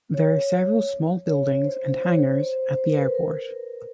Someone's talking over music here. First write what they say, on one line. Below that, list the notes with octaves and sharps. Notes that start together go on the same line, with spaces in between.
There are several small buildings and hangars at the airport.
C#5
C#5
C5
C#5
C5
C5
B4
A#4
B4
A#4